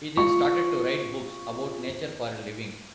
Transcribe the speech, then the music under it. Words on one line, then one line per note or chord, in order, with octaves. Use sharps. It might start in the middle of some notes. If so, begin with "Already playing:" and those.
He then started to write books about nature for a living.
F4 C#6